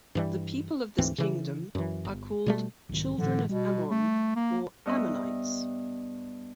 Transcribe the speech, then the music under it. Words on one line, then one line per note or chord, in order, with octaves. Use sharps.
The people of this kingdom are called "Children of Ammon" or "Ammonites".
G2 E3 G3
D2 G#2 E3 C4
C#3 E3
F#2 E3
G1
B2 G3 A3
B1 G#2 D#3
A2 D3 E3 F#3
B2 G3
A3
A#3
G2 B3 D#5 E5